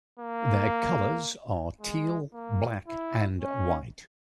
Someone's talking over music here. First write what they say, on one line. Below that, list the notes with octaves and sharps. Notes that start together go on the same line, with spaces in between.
Their colours are teal, black and white.
A#3
G#3
A#3
E4
C#4